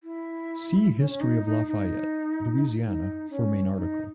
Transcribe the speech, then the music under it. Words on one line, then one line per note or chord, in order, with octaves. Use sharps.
See History of Lafayette, Louisiana for main article.
E4
C#4
C#4
D#4
D#4
D#4
D#4
C#4
C#4
D#4